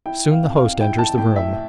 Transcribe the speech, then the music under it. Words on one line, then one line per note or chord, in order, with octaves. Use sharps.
Soon the host enters the room.
E4 G5
F5
F2
F5
E4 G5
A5
A2 G5
E5